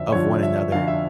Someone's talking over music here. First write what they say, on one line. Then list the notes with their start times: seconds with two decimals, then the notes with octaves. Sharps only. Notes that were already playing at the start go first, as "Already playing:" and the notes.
of one another.
Already playing: F2 D3 F3 E5
0.12 F2 D3 F3 C#5
0.43 E5
0.72 F2 D3 F3 F5
0.88 E5